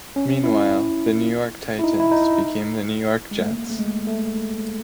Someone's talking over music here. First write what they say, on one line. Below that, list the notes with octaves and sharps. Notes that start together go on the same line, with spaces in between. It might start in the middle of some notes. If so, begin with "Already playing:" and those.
Meanwhile, the New York Titans became the New York Jets.
C#4
E4
E4
D#4
E4
D#4
G#3
A3
A#3
A3
G#3
A3